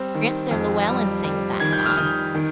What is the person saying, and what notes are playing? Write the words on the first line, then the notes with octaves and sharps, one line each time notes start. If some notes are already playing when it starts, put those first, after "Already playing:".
Gran'ther Llewellen sings that song.
Already playing: G3 C4
D#3
F2
G3
G3
D#3 G#6
G6
F6
D#3 D#6 G6
D#3